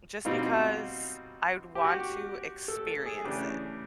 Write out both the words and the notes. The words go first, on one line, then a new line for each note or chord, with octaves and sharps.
just because I'd want to experience it.
B2 G3 C4 D#4 F4
G4
F#4
G4
A4
A4
G#4
C#3 E3 A3 D4 G4